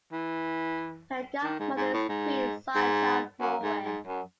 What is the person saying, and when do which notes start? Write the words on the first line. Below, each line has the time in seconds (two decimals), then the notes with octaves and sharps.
Her Godmother is Queen Sonja of Norway.
0.12 E3
1.43 D#3
1.59 G#2
1.77 G#2
1.93 A2
2.09 G#2
2.75 G#2
3.40 F#2
3.63 G#2
3.84 G#2
4.06 F#2